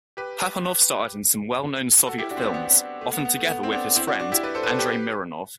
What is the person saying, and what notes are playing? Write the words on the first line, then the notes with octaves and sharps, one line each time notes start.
Papanov starred in some well-known Soviet films, often together with his friend, Andrei Mironov.
G4 B4
F#4 A4
E4 G4
D4 F#4
C4
B3 D4
B3
B3
A3
B3
B3
A3
B3
C4
B3 D4
C4 E4
D4 F#4
D4 F#4
E4 G4
B4 D5
A4 C5
B4
A4 C5
G4 B4